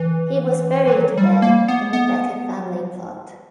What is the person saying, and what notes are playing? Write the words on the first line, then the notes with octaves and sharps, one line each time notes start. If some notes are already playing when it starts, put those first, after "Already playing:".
He was buried there in the Becker family plot.
Already playing: E3
E3
F#3
G3
A#3
B3
B3